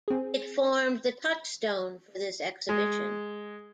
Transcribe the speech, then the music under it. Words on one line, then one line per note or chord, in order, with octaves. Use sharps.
It formed the touchstone for this exhibition.
C4 G#4
G#3